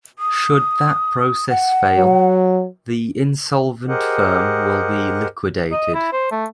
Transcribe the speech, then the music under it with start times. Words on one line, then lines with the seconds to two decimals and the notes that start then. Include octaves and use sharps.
Should that process fail, the insolvent firm will be liquidated.
0.19 D#6
1.49 F#5
1.97 F#3
3.88 G4 G#4 A#4 C5 D#5 F#5
5.72 D#5
5.95 E4
6.13 C5
6.31 A3